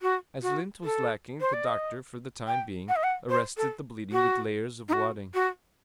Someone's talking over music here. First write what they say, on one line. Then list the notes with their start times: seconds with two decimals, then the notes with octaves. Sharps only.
As lint was lacking, the doctor, for the time being, arrested the bleeding with layers of wadding.
0.02 F#4
0.42 F#4
0.84 A4
1.41 C5
1.53 D5
1.65 D#5
2.47 G5
2.88 F#5
2.96 D#5
3.03 F#5
3.29 C5
3.57 A4
4.12 F#4
4.89 D#4
4.93 F#4
5.34 F#4